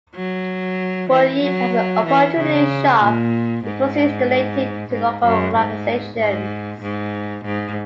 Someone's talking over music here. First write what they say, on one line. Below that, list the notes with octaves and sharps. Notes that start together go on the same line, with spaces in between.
Bunyip has an "opportunity shop", with proceeds donated to local organisations.
F#3
E3
F#3
E3
C#3
A#2
G#2
G#2
F#2
G#2
G#2
G#2
G#2